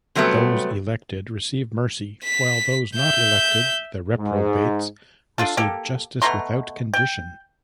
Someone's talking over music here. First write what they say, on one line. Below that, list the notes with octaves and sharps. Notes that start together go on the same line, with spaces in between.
Those elected receive mercy, while those not elected, the reprobates, receive justice without condition.
C3 F#3 G3 A3 B3
B6
E5 G6
G#2
D4 F4 A4
A#3 G4 A4
B2 A3 A#5 C6
G5